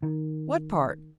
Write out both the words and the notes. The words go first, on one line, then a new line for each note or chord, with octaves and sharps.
"What part?"
D#3